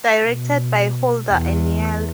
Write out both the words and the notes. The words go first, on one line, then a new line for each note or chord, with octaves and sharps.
Directed by Holder and Neal.
B2
E2